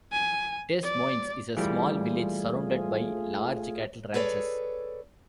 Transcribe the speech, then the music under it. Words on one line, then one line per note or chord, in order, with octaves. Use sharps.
Des Moines is a small village surrounded by large cattle ranches.
G#5
D5
E3 G3 A3 F4 G#4
G#4 A4 B4 C#5 D5